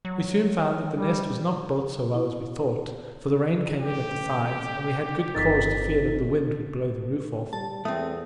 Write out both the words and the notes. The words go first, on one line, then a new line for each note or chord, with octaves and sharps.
We soon found that The Nest was not built so well as we thought, for the rain came in at the sides, and we had good cause to fear that the wind would blow the roof off.
F#3
G3
E4
A1 G4
G1 F2 D#4 A#4 A6 B6
G3 A5
E2 A3 C4 E5 D#6